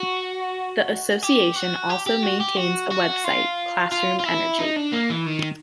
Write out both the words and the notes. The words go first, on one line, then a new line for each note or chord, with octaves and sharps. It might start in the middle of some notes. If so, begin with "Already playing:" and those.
The association also maintains a website, Classroom Energy.
Already playing: F#4
G4
F#4
G4
G4
F#4
G4
F#4
F#4
F4
F4
F4
E4
D#4
D4
A#3
E3
D#3